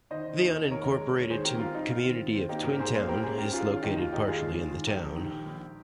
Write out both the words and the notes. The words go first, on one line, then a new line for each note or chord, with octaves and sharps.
The unincorporated community of Twin Town is located partially in the town.
D#3 C5 D#5
D#3
D#2
D#2
D#2 A#4 C#5
G#3
G#3
D#2
C#5
D#3 G#4 C5
C4 G4 A#4
C4 F4
G3 D#4
C4 F4
D#3
D#3
C4
A#3 D#4 G4
G#2 G4 A#4
G#2 G#4 C5
A#3 G#4 C5
G3 G4 A#4
C#4 G#4 C5
C#4 G4 A#4
C#4 F4 G#4
D#3 F4
D#2 D#4 G4
D#2 F4
D#2 D#4 G4
G#3 F4 G#4
D#2
D#3
D#3
A#1 G4 A#4
A#1
D#3
A#1
A#1